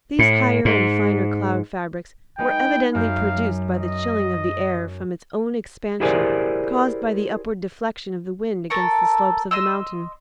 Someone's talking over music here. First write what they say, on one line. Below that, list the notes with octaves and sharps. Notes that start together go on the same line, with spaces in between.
These higher and finer cloud fabrics were evidently produced by the chilling of the air from its own expansion caused by the upward deflection of the wind against the slopes of the mountain.
A2
G#2
G#3 D#4 B4 G5
F#2 F5 G6
D#5
E4 G4 G#4 A#4 C5 D5
A4 A#4 C#6
D#5 C6 E6